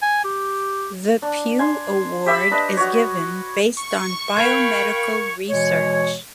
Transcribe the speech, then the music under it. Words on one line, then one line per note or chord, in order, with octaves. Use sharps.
The Pew Award is given based on biomedical research.
G#5
G4
D4
G#5 C6
G4 E5 B5 E6
D4 B4 D#5
F#4 C#5
C#6
A#4 F5 G5 B5 G#6 F7
B2 E3 G#3 C#5